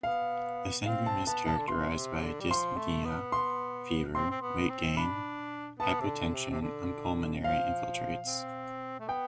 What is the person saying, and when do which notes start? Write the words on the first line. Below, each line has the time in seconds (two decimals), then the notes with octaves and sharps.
The syndrome is characterized by dyspnea, fever, weight gain, hypotension, and pulmonary infiltrates.
0.03 B3 F5
0.86 C4 F5
1.06 A5
1.26 B3 A5
1.47 A5
1.57 D3
1.68 E3 C6
1.96 C3
2.23 D3
2.40 G3
2.50 F3 C6
2.77 A3
3.05 B3
3.32 C6
4.15 C4 C6
4.31 C4
4.42 B3
4.70 C4
4.97 D4 B5
5.79 B3 A5
6.01 C3
6.06 D3
6.34 C3
6.51 C3
6.62 D3
7.44 F3 F5
8.26 C4
9.00 A3
9.08 B3 G5